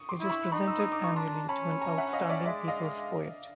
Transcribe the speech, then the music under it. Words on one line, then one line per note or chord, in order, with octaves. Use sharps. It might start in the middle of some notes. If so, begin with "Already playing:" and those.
It is presented annually to an outstanding people's poet.
Already playing: C#6 D#6
C6 D6
E4
B5 C#6
D#4 B5 C#6
E6
D#6
D6
C#6
D4 A#5 C6
C#4 A5 B5
G#5 A#5
E5 F#5
D#5 F5
D5 E5
G#3 D5 E5
D#5 F5